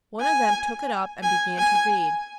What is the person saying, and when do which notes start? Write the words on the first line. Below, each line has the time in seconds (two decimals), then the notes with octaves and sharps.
One of them took it up and began to read.
0.21 G#5
1.23 G#5
1.58 G#5